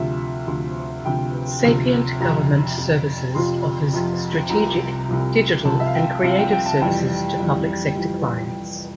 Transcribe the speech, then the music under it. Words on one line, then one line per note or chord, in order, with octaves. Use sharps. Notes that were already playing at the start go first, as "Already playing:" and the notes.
Sapient Government Services offers strategic, digital, and creative services to public sector clients.
Already playing: D2 C3 F3 E5
D2 C3 F3
D2 C3 F3 G5
D2 C3 F3
F2 C3 F3 A#5
F2 C3 F3
F2 C3 F3 C6
F2 C3 F3
C2 C3 F3 A#5
C2 C3 F3
C2 C3 F3 A5
E5
F5
G5
C2 C3 F3 F5
G5
G5
A5
F2 E3 G3 G5
F2 E3 G3
F2 E3 G3